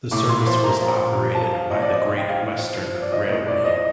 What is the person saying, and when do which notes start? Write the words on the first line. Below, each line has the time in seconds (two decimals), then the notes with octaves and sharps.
The service was operated by the Great Western Railway.
0.11 A2 D6
0.29 A#2 C6
0.46 F3 C6
0.64 A#2 A#5
0.82 F3 A#5
1.00 A#2
1.18 F3
1.35 F3 A5
1.53 F3 F5
1.70 A2 D#5
1.82 D5
1.88 F3
1.94 D#5
2.06 A2 D#5
2.18 G5
2.23 F3
2.29 F5
2.41 A2
2.59 F3
2.77 F3
2.94 F3
3.02 D5
3.12 F3 D#5
3.29 A2
3.47 A2 D5
3.59 D5
3.64 F3 D#5